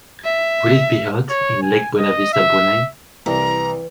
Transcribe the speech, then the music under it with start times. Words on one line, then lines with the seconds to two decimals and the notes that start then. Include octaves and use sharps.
Will it be hot in Lake Buena Vista Brunei?
0.25 E5
1.30 C#5
1.62 G#5
1.98 D#5
2.33 E5
3.26 C2 E3 A#5